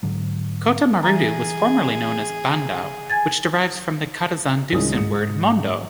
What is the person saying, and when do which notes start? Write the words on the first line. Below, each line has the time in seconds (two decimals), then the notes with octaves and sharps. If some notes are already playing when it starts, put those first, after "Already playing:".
Kota Marudu was formerly known as 'Bandau', which derives from the Kadazan-Dusun word 'Mondou'.
0.03 G#2 D3 F#3
1.03 E3 G#4 A#5
3.10 G#5 G#6 A6
4.72 C2 D#3 G#3 C#4 F4 D#6
4.94 G#2 C#7